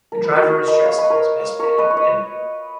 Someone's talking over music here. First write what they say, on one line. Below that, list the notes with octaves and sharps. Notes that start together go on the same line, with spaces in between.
The driver is dressed in his best band and bib.
A#4
B4
F#4 A#4
A#4 C#5
B4 D#5
C#5 D#5 F5
B4 D#5
A#4 C#5
A#4 C#5
B4 D#5
C#5
B4 D#5